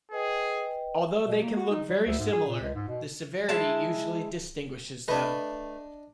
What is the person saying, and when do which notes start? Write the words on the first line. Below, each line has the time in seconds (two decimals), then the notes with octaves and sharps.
Although they can look very similar, the severity usually distinguishes them.
0.12 G#4 B4 D#5 G5
1.28 B2
1.42 A#3
1.57 F#4
1.70 D#4
1.89 G3
2.07 D2
2.19 G#2
2.32 G#4
2.48 A#2
2.61 C#2
2.75 G#2
2.88 B2
3.49 G#3 E4 A5
5.08 A3 D4 B4 D#5